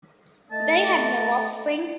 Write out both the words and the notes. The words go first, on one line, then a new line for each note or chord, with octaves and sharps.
They had no offspring.
A3 D#5 A5